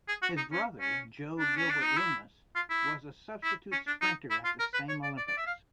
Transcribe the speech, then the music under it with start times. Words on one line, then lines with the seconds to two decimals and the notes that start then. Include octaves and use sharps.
His brother, Jo Gilbert Loomis, was a substitute sprinter at the same Olympics.
0.09 G#4
0.22 F#4
0.37 D#4
0.52 C#4
0.80 C#4
1.39 D4
1.56 C#4
1.70 D4
1.83 D#4
1.97 E4
2.55 F4
2.70 E4
3.43 E4
3.72 C#4
3.87 D4
4.01 D#4
4.30 E4
4.45 F4
4.59 A#4
4.74 B4
4.89 C#5
5.03 D5
5.18 D5
5.28 D5
5.38 E5
5.47 F5